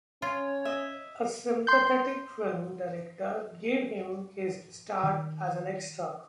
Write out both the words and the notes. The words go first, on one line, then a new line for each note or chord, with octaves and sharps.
A sympathetic film director gave him his start as an extra.
C#4 F4 C#5
D#5 E5
C6 G6
D#3